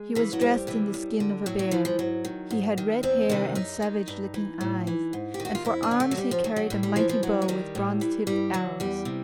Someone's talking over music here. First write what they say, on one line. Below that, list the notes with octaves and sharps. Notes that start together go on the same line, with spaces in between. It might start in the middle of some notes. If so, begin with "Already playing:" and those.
He was dressed in the skin of a bear; he had red hair and savage-looking eyes, and for arms he carried a mighty bow with bronze-tipped arrows.
Already playing: G#3
C#3 E3
F#3
F2 G3
C3 E3
F#2
D3
A2 F#3
F#3
E3 F3
F3
G#2 F#3
D#3
G#2
D#3
E2 C4
C3 D#3 D4
F#2 D#4
D#3
G2
E3
A2
E3
G#2
G4
D#3
F#4
F4
F2 E4
D4
D3
A3
F#3
F#2 G3
F3
D#3 F#3
F#3
A2 G3
G3
E3 F3
F3
G#2 F#3
G#3
D#3 G3
A2
E3
G2 G3
D3 F#3
E2 G3
C3